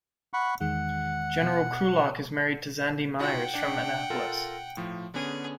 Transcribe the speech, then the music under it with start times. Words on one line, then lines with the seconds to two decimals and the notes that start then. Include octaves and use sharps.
General Krulak is married to Zandi Meyers from Annapolis.
0.33 F#5 B5 C#6
0.61 E2 D#3 G#3 F#5
1.42 B2
3.19 D#4 F4 F#4 F#5 G5
3.54 D4 D5
4.10 F4 A4 A#4
4.77 A2 F3
5.14 D3 B3 C#4 G#4